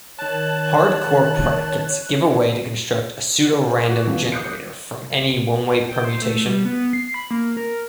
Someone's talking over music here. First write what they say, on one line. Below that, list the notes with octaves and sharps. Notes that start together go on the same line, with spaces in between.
Hard-core predicates give a way to construct a pseudorandom generator from any one-way permutation.
D#3 C#5 A5 F#6
C5
F#4 D6
F2 B2 E3 F3
D6 D#6 F#6 G6 C7 C#7
G5
C5
A3
G3
B3
C7
B5
A#3
A#4